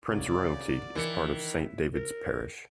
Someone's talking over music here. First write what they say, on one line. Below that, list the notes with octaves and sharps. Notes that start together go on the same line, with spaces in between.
Prince Royalty is part of St. David's Parish.
C2 C#3 D5
D#3 E3 A#4 C#7
A#4